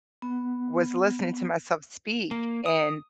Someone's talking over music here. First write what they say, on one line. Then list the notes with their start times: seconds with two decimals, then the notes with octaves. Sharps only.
was listening to myself speak and
0.22 B3
2.31 A#3
2.66 D#6